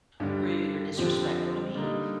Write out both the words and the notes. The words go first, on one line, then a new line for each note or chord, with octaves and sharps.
rude or disrespectful to me,
G2 D3 G3
F2 D3 F3 C4 G4
D3 G3 A#3 D#4